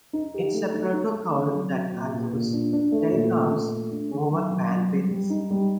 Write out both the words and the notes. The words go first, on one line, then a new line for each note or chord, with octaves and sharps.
It's a protocol that allows telecoms over bandwidths.
D#4
G4
A3
D#4
D#4
A3
C4
F#3
F#4
A#2
A#2
A#2
D4
D4
A3
A#2
A3
A#2
A3
D4
D#3
F#3
F#3
F#3
G3
G3
D#4
G3